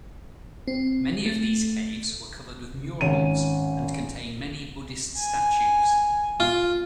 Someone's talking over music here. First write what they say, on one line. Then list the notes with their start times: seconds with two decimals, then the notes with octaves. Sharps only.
Many of these caves were covered with murals and contain many Buddhist statues.
0.68 C4
1.26 A3
3.01 G#1 C#4 D#7
5.18 G#5
6.40 F4